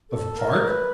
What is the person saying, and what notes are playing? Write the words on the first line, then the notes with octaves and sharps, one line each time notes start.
"Of park?"
A4
A#4
B4